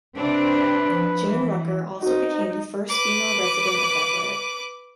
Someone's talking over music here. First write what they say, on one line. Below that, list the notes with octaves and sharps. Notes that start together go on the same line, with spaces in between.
Jane Rucker also became the first female resident of Everett.
C3 C4 D4 B4
F3
E3
C4 D#4 F#4
B4 D6